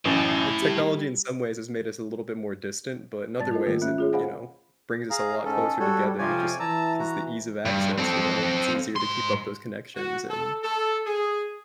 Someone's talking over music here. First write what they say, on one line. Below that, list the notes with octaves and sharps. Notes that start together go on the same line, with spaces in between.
eh, technology in some ways has made us a little bit more distant, but in other ways it, you know, brings us a lot closer together just 'cause the ease of access, you know, it's easier to keep up those connections, and
A1 F#2 A2
G3
G#2 G3 B3 D5 A5 A6
F4 A4 A#4 D#5
D#3 A3 A#3 F4
C#4 E5 F#6
F4 G#4 C#5
C5 D#5 F5 F#5 G#5 B5
G#4 F5 A#5
G#2 C#4 A4
G3 F#4 A4 C#5
F2 C3 F3 C#5 D5 G#5
E3 A5 A#5 E6
F#4 A#5
G2
C4 A4
G#2 C6
F#4
A4
A4
G#4